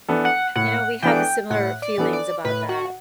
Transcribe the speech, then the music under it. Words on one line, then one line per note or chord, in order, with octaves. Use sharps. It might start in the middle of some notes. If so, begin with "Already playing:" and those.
you know, we had the similar feelings about that.
E3 B3 D4 A4
F#5
A2 F#5
E3 B3 D4 A4 G5
A2 F#5
D5
E3 B3 D4 A4
D5
A2 B4
F#4